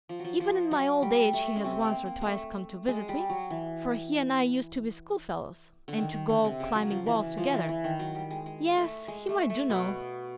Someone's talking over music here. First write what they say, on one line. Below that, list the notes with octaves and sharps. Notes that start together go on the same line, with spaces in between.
Even in my old age he has once or twice come to visit me, for he and I used to be schoolfellows, and to go climbing walls together. Yes, him I do know.
F3
F3 F#3
F3
F#3
G3
A3
C#4
C3 C4
A#3
A#3
G#3 A3
G#3
G3
F#3
E3
D3
D#3
D#3
D3
C3
C#3
F#3
F3
E3
F3
E3
E3
D#3
F#3
G3
G#3
G#3
A3
G#3
A3
A3
B2 B3